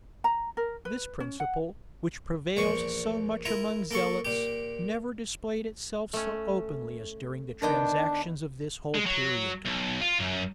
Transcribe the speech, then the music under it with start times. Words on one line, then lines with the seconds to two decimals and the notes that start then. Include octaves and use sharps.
This principle, which prevails so much among zealots, never displayed itself so openly as during the transactions of this whole period.
0.24 A#5
0.57 A#4
0.85 B4
1.20 C#4
1.40 F#5
2.57 E2 A#2 F3 C#6
3.45 E4 F4 A#4
3.91 A#3 A4 F5 C#6
4.25 A#2 G4
6.13 A3 C#4
7.62 D#3 B3 D4 G5
8.95 G#3
9.06 F#3
9.66 B1
10.01 F4
10.19 F#2